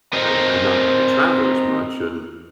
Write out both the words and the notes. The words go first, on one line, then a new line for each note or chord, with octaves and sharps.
and and not have to travel as much and
C4 A#4 C5 D#5